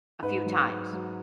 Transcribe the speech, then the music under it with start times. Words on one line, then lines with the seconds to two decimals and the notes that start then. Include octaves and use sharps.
A few times.
0.22 G#2 B4
0.46 F#3
0.69 G#2
0.93 F#3